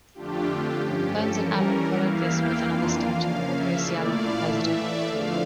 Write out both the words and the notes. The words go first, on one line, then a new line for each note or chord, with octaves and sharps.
Burns and Allen followed this with another stunt: Gracie Allen for President.
F2 D3 A3 D4 F4 G4
G2 F3 C#4
A4
E3 G3 C#4 A#4
E2 E3 A#3 E4 F5
G5
F2 E3 A#3 D4 F4 F5
C#3 F3 A#3 C#4 F5
E5
A#2 A3 E4 D5
F5
A2 E3 A3 E5
D5
E2 D3 F3 A3 F5